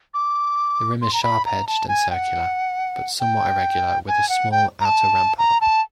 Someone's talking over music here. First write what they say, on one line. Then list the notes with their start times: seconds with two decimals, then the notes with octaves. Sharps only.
The rim is sharp-edged and circular, but somewhat irregular with a small outer rampart.
0.14 D6
1.02 C6
1.13 A#5
1.23 B5
1.45 A#5
1.67 A5
1.88 G#5
2.11 G5
2.14 F#5
3.20 G5
4.08 G#5
4.29 F#5
4.52 G5
4.81 A#5
4.85 A5
5.38 A#5
5.61 A5